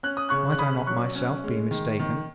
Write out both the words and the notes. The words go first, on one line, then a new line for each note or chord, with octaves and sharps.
Might I not myself be mistaken?
C#4 F#6
D#6
C#3 C#6 F#6
F#6
C#4 B5 D#6
F#3 C#6 F#6
C#4
G#3
D#3
D#3